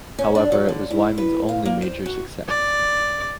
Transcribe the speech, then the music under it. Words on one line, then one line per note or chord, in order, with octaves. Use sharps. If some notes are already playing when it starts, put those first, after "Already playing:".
However it was Wyman's only major success.
C#4
D4
F#3
D3
E4
B4
F5
A#3
C5
F#4
D5